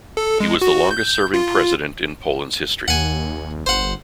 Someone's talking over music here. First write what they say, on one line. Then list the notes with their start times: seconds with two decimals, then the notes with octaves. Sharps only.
He was the longest serving President in Poland's history.
0.17 A4
0.40 G#3
0.62 F#4
0.91 G6
1.34 F4
2.88 D#2 F#5 G#5
3.66 G1 C5 F#5